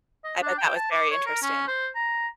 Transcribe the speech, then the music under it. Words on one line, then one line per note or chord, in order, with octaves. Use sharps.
I bet that was very interesting.
D#5
D4
G5
A5
D6
C#5
A#4
C#4
C5
A#5